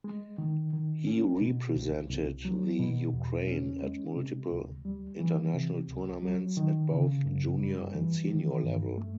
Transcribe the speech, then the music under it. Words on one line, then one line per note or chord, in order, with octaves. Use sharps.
He represented the Ukraine at multiple international tournaments at both junior and senior level.
G#3
D#3
D#3
C#4
B2
C2
C2
F#3
B2
E2
C#4
G#3
C3
D2
G3
E3
C3
C#2
F#3
D#3
C#3
F#2
G3
E3
D#3
G2
A3